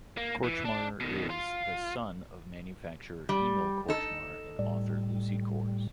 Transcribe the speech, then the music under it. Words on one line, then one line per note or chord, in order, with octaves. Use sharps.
Kortchmar is the son of manufacturer Emil Kortchmar and author Lucy Cores.
A#3
E3
D4
B2 D#3
F4
G3
D#4 A4
A2 G3